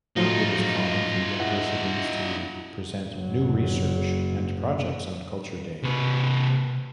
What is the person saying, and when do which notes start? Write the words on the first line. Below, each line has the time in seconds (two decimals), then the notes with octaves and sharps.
It is common for universities to present new research and projects on Culture Day.
0.16 A2 F3 F#3 D#4 F4
1.40 E4 F#5
3.15 F#1 F#3
5.83 C3 B4